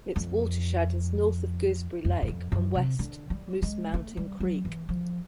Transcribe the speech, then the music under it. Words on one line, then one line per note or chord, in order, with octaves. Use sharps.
Its watershed is north of Gooseberry Lake and west Moose Mountain Creek.
F2
F2
F#2
F2
F#2
C3
D3
G3
G#3
A3
G3
F#3
E3
F3